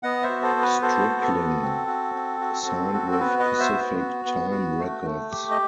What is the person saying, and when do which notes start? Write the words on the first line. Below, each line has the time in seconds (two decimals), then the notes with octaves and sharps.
Stricklin signed with Pacific-Time Records.
0.03 B3 D#5 F#5
0.22 C5 E5
0.29 F#4
0.42 A4 C5
0.56 B3
0.62 B4
0.82 F#4 A4 C5
1.09 B3
1.21 A4
1.35 F#4
1.62 C4
1.87 F#4
2.15 C4
2.41 F#4
2.67 C4
2.93 F#4
3.11 A4
3.19 B3 B4
3.39 B4 D#5
3.46 F#4
3.59 C5 E5
3.72 B3
3.99 F#4
4.25 B3
4.51 F#4
4.78 A3
5.04 A3
5.31 G4
5.51 D#5